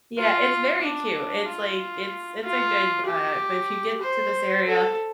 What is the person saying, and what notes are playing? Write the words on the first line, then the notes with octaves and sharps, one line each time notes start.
Yeah, it's very cute. It's, like it's it's a good, uh but if you get to this area,
F4
D4
D4
F4
F4
G4
C5
A4